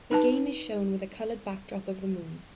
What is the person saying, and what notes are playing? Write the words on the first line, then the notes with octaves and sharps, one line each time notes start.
The game is shown with a colored backdrop of the moon.
D#4 B4 A5